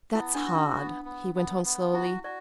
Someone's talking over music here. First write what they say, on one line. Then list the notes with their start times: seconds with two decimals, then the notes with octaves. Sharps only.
'That's hard,' he went on, slowly.
0.15 B3 E4
0.35 D4
0.45 F#4
0.55 D4
0.75 B3
1.05 B3
1.35 B3
1.65 B3
1.94 E4 F#4
2.23 F#4 D5